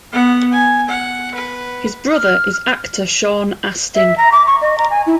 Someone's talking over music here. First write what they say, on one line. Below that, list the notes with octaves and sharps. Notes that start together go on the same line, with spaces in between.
His brother is actor Sean Astin.
B3 F#5
G#5
F#5
B4
F6
E5
A#5
D6
C#6
D#5
A#5
G#5
E4